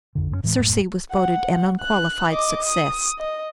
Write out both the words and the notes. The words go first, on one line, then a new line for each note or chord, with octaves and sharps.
"Circe" was voted an unqualified success.
A#1 F2 D3
F#2 G#3 C#4
D1 A2 E3 G#3
E1 F#2 A2
F#5
F#6
D#5 D6
D#6
D#5